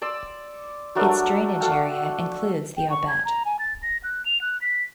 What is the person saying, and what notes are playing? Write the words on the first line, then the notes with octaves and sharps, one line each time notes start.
Its drainage area includes the Aubette.
D5 C6 D6 E6
F#3 A3 D4 A#4
F#4 A4 F5 G5
G5
C#6
G#6
A#5
G#5
A6
A#6
F#6
F7
F#6
B6